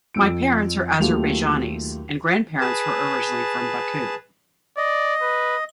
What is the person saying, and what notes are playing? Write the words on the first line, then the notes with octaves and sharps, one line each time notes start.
My parents are Azerbaijanis, and grandparents were originally from Baku.
F2 E6 D7
D#2 F#3 A3 F4 G4 F7
G#4 B4 A5
D5 D#5
B4